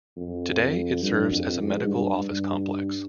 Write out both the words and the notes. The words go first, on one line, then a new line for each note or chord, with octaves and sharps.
Today it serves as a medical office complex.
F2
G2
F2
G#2
G2
G2